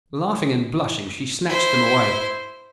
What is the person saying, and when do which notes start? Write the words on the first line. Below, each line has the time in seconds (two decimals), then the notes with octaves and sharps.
Laughing and blushing, she snatched them away.
1.47 E4 C5